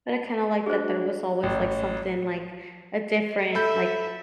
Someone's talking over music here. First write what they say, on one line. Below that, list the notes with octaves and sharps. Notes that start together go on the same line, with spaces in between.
but I kinda like that there was always, like, something, like, a different, like,
A5
D4 F#4 G#4 C5
A1
A4 E5 B5 G6